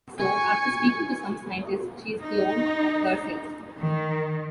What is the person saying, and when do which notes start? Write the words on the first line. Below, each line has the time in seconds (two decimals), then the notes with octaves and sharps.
So, after speaking to some scientists, she has cloned herself.
0.18 G#5 C#6
2.22 D#4
3.79 D#3